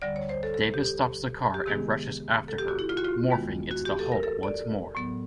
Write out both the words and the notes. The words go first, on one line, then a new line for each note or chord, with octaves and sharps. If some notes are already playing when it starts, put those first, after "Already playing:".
David stops the car and rushes after her, morphing into the Hulk once more.
D2 D3 G3 D5
C#5
C5
A4
A4
G4
G4
C3 D#3 G#3 B3 G#4
A4
G4
F#4
E4
F4
F#4
F4
D#2 D#3 G#3 B3
F#4
G4
A4
A#4
A4
D5
A2 F#3 B3